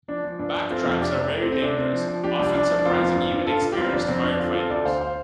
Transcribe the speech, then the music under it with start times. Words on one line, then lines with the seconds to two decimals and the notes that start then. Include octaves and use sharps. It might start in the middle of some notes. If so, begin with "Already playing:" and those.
Backdrafts are very dangerous, often surprising even experienced firefighters.
0.08 F3 D4
0.24 F3
0.39 G2 D4
0.54 F3
0.70 A3 C4 F4
0.86 F2
1.01 C3 D4 G4
1.16 F1
1.31 A3
1.42 C4
1.47 A3
1.52 C4
1.62 C3 D4
1.77 C4
1.93 F3
2.08 F3
2.24 F3 D4 G4
2.39 C2 D4
2.55 F3 D4
2.70 F3
2.79 D4
2.85 F1 C4 F4
3.01 F2
3.16 G2
3.32 G2
3.47 G2 F4 A4
3.62 G2
3.72 G4
3.77 G1 C4 F4
3.93 F2 D4
4.08 F2 C4
4.23 F3 D4
4.39 D3 C4 F4
4.54 C4 F4 A4
4.69 D2 A4 D5
4.85 D2 C5 F5
5.01 C5 F5